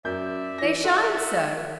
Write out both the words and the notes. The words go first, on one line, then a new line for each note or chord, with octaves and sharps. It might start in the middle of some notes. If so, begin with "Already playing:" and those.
"They shine so!"
F#2 A#4 D5 E5 G6
E3 A#6
A4 E5 F#5 C6 F#6